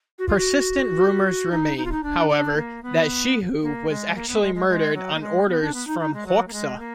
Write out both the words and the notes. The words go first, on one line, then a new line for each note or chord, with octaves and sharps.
Persistent rumors remain, however, that Shehu was actually murdered on orders from Hoxha.
F#4
F4
F#4
D#4
D#4
F4
D#4
D4
D4
A#3
B3
A#3
G#3
A#3
B3
G#3
G#3
G#3
F#3
A#3
G#3
B3
D4
B3
D#4
D#4
G#3
F#3
A#3
G#3
A#3